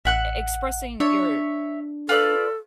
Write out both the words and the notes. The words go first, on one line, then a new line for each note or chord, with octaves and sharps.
e expressing your
A1 E5 F#5 F#6
D4 C#5 E5
F4 A4 B4 D5